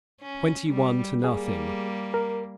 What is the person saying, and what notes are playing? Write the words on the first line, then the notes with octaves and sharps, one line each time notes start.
"Twenty-one to nothing."
C#4
G3
G3 A#3 G#4
A#4